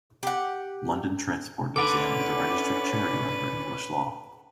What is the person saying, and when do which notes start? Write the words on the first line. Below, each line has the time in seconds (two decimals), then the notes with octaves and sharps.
London Transport Museum is a registered charity under English law.
0.23 G4 F#5
1.76 C#4 D4 E4 A4 B4 F#5 D6